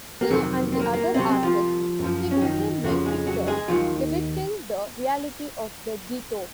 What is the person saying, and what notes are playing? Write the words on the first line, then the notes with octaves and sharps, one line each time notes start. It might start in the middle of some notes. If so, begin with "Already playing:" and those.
He and the other artists secretly make pictures depicting the reality of the Ghetto.
A#3
F2 C3 D#3 F#3 C4
C4
A#3
A#3
C2 C3 F#3 C4
C4
F3 F4
F#2 F3
C#4
D#3 D#4
F2 C#3 F3 F#3 F#4
G#3 G#4
F#3 F#4
G#3 G#4
D#2 D#3 F3 F#3 F4